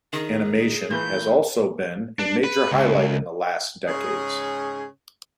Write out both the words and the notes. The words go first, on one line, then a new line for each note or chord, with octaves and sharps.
Animation has also been a major highlight in the last decades.
D#3 G#4
A#2 E3 A3 B4 G6
D4
B4
C#2
G#2 C#3 C#4 G#4